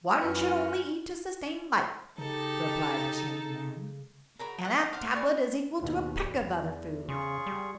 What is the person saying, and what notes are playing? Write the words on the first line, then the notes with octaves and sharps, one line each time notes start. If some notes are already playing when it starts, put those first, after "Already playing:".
"One should only eat to sustain life," replied the Shaggy Man, "and that tablet is equal to a peck of other food."
F#2 E3 C#4 F#4 B4 F6
C#3 D#4 G4 A4
C#3 F#4 A#4 A#5 B5
E3 F4 G#4 F#5
C5 F5 F#5
G#4 B4 D5 C#6
D#2 B2
E2
C#3 F4 G#4 C#6
G3